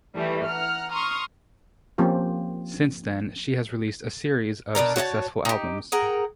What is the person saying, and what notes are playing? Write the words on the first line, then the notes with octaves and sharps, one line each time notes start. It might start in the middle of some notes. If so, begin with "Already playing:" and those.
Since then she has released a series of successful albums.
E3 G3 A3
F#5 A#5 F6
A#5 C6 C#6 D#6 F6
F3 A#3 C4 C#4 G4
B2 D#3 D4 A#4
F#4 C#5 E5 A5
D#4 G4
G#4 A#4 F#5 G5